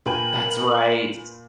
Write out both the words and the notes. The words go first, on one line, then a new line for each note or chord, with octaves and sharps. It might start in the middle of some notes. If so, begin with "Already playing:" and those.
That's right.
A#2 A#4 B4 G5 G#5 F#7